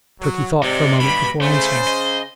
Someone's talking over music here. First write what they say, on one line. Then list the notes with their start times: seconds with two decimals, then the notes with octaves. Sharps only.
Turkey thought for a moment before answering.
0.22 F#3
0.62 C3 G#3 D#4 D5
1.00 G2 B2 B5
1.41 C#3 A3 C5
1.87 D#5